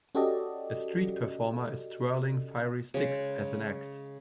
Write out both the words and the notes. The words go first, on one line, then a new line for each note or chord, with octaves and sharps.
A street performer is twirling fiery sticks as an act.
C#4 F#4 G4 A4 D5 D#5
C#3 G#3